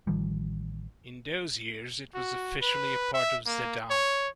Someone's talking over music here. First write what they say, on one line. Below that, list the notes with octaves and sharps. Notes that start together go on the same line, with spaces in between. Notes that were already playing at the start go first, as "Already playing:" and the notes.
In those years it was officially a part of Zeddam.
A1 D#3 F3 G3
F#4
B4
E5
A#3
C#5